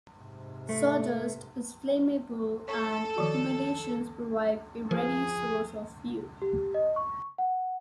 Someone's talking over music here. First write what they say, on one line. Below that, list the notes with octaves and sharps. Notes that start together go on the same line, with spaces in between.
Sawdust is flammable and accumulations provide a ready source of fuel.
G#2 C3
A3
A4 C#5 C#6
D#3 F3 F#4
F3 G#4
G4
D#5
C#6
F#5